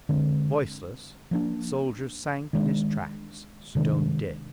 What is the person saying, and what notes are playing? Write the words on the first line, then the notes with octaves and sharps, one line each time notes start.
Voiceless, the soldier sank in his tracks--stone dead.
D3 G#3 C4
F3 A#3 D4
D#3 G#3 D4
C3 D#3 G#3 D4